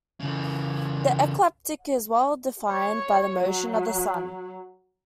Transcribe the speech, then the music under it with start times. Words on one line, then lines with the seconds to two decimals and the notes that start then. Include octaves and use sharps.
The ecliptic is well defined by the motion of the Sun.
0.20 C#3 E3
2.68 C#5
3.40 F#3